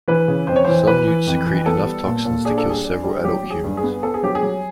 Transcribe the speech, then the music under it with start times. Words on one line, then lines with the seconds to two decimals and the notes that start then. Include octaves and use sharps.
Some newts secrete enough toxins to kill several adult humans.
0.08 E3 B4
0.28 C#3
0.47 F2 C5
0.56 C#5
0.65 E3 C5
0.87 E3 B4
1.07 E3
1.27 F2
1.47 E3
1.66 B3 A4
1.86 G3
2.06 A#2
2.25 A#2
2.45 D4 G#4
2.58 A4
2.66 G3 G#4
2.85 D4
3.04 G3
3.25 F#3 G4
3.44 F#3
3.50 G#4
3.64 G2
3.77 G#4
3.83 B3
4.03 B3 A4
4.14 G#4
4.23 F#3 G4
4.35 G#4
4.43 F#3